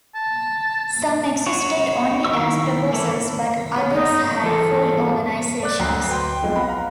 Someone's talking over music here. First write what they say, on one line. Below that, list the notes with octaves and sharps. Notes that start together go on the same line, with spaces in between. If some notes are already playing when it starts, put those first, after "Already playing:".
Some existed only as proposals, but others had full organizations.
A5
F#4 C#5
D#3 E4 C#6 E6
E3 A#3 E4 A4
B3 C#4
G#3 D#4
E2 A4
D5 D6 F#6
D2 F#3 A#5 F#6 C7
B4 G5 C6
B1 F2 F3 G#3
F#5 B5
F5 A#5